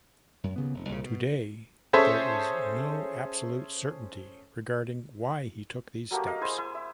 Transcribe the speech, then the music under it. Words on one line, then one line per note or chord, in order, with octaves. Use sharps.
Today, there is no absolute certainty regarding why he took these steps.
F#2
D#2 C#3 B3
F1
C2 A#2 C#3
B2
C#4 G#4 A4 C5 C#5 E5
F#3 A3 A#3 G4
D#5 F5
E4 G#4 C5 G#5
E4
E5